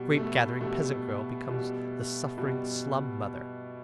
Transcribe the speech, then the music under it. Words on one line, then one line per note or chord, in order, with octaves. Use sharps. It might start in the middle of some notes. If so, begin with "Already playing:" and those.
The grape-gathering peasant girl becomes the suffering slum mother.
Already playing: B2 G3
A3
B2 G3 A3
B2 G3
B2 G3